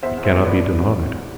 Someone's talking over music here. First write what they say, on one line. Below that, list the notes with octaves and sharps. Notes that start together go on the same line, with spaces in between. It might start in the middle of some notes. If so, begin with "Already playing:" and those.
'It cannot be denied.'
E2 C5 E5
E2
C5 E5
E2
F3 B4 D5
F3
C3
F3
C2